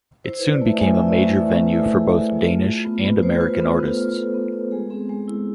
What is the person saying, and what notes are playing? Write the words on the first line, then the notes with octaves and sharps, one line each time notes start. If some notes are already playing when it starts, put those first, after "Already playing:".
It soon became a major venue for both Danish and American artists.
E4 C5
E4 B4
D5
A3 E5
A3 G#5
E4 E5
D5
E4 E5
A3 E5
A3 E5
B4
E4 A4
E4 G#4
A3
A3
F4
F4
B3
B3 B4
F4 C5
F4 B4
B3 A4
B3
F4
F4 A4
B3
B3
G#3 G#4
C4 G#4
G#3
E4